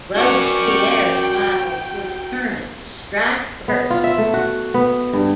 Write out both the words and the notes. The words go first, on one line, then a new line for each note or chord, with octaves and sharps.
Robespierre's rivals were determined to strike first.
F#4 A#4 D5 G5 C#6
B3
F4
E5
A3
F#4
B3
G2